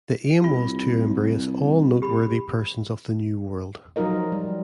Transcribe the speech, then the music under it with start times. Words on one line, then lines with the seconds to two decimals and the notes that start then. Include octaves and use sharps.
The aim was to embrace all noteworthy persons of the New World.
0.44 C2 F4
2.02 G4 B5
3.96 F3 F#3 D#4 F4 A#4 D#5
4.32 G3